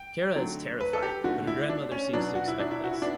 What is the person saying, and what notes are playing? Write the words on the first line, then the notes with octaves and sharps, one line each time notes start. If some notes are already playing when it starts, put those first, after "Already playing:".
Cara is terrified, but her grandmother seems to expect this.
Already playing: G5
D3 F#3 A3
B4
A4
G4
D3 A3 F#4
E4
D4
C#4
B2 F#3 B3 D4
F#4
E4
D4
E4
F#4
E4
B3 D4